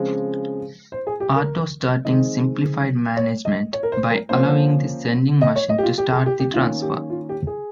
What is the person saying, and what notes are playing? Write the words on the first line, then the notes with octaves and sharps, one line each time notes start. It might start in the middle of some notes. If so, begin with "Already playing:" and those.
Auto-starting simplified management by allowing the sending machine to start the transfer.
Already playing: C#3 F3 G#3 C4
C5
G#4
G4
A#4
D#3 G#3 C4 D#5
C#5
D#5
C#5
A#4
C5
A#4
F3 A#3 C#4 C5
D#5
C#5
D#5
G4
F4
G4
G#4
G4
G4
D#3 A#3 C#4 F4
G4
F4
G4
G#4